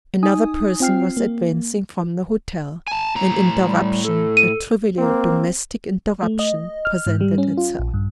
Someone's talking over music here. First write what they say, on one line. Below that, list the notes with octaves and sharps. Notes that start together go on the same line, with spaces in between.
Another person was advancing from the hotel; an interruption, a trivial domestic interruption, presented itself.
D#4 G#5 D#6
C4 F4 G5 F6 C7
A#3
G#5 A5
A2 A#5
G3
A4
D#7
A#3 C4
A3
D#5
F6
G#2
G3
C#4
F4
A#1
G2